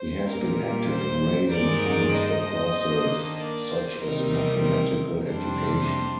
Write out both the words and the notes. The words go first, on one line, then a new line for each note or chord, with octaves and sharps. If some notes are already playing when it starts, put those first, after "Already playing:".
He has been active in raising funds for causes such as mathematical education.
Already playing: C5
A#2 G3 A#3 A#4
C5
G2 D#3 G#3 D#4 A#4 D5
C5 D#5
D#3 A#3 D4
A#4 D5
C5
C3 D#3 G3 C4 D#4 A#4
F2 C3 G3 D4 C5